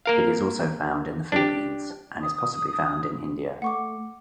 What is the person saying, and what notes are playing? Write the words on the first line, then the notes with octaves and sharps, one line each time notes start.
It is also found in the Philippines and is possibly found in India.
A#3 A#4 F5
D4 G4
D#6
A3 F#5 C#6 D6